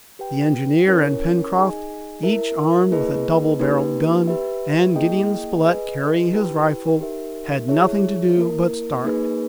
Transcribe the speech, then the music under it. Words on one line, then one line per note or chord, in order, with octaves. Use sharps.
The engineer and Pencroft, each armed with a double-barreled gun, and Gideon Spilett carrying his rifle, had nothing to do but start.
G4 B4 G5
C#4 E4 A#4 C#5 G#5
D#4 G#4 D#5 G#5
E4 A#4 E5
A#3 E4 G#4 B4 D#5
A#3 D#4 G4 B4
G4 B4 E5
A#3 E4 G#4 D#5 G5
G#4 B4 D#5 G#5
E4 G4 B4 G5
D#4 G4 A#4 E5
E4 G#4 C#5 E5
A#3 E4 A#4
A#3 D#4 G#4 B4